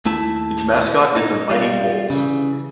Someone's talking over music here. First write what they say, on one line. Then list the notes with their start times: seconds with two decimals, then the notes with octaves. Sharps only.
Its mascot is the Mighty Wolves.
0.06 D#2 A3 E4 A5
1.16 D#4
1.50 G3 F4
2.10 C#3 E3